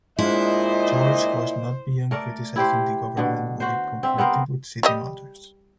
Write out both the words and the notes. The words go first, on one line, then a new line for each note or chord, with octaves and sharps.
George was not beyond criticizing the government where it conflicted with city matters.
A#2 G#3 D4 E4 F4 C5 D5 D#5
A3 A#4 D5
E4 G4 C5
B2 D3
F#4 C5
C4 E5
B3 C4 A#4 C5
G3 G4 D#5